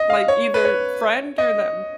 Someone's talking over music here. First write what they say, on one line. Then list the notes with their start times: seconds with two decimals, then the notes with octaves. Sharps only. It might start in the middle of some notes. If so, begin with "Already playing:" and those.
Like either friend or them.
Already playing: D#5
0.10 F5
0.28 C#5
0.54 B4
0.65 C#5
1.38 D#5